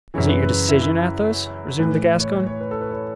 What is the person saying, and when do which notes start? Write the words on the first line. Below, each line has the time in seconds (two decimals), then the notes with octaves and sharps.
"Is it your decision, Athos?" resumed the Gascon.
0.14 F#2 C#3 E3 C#5
0.29 B4
0.43 B4
0.69 E4
0.82 E4
1.79 A2 E3 B4
2.20 C#5
2.34 C#5
2.47 C#5
2.61 B4
2.71 A4
2.81 B4
2.91 C#5